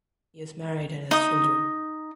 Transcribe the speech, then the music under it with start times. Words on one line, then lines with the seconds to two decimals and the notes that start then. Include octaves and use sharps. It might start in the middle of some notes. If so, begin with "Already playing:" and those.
He is married and has children.
1.11 D#4 D#6